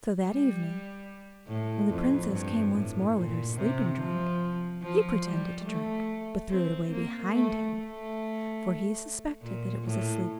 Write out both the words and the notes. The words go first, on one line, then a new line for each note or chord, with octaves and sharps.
So that evening, when the Princess came once more with her sleeping-drink, he pretended to drink, but threw it away behind him, for he suspected that it was a sleeping-drink.
G3
A2
F2
G2
A2
A#2
C3
F3
F3
G3
A3
C4
A#3
A3
A3
A#2
A2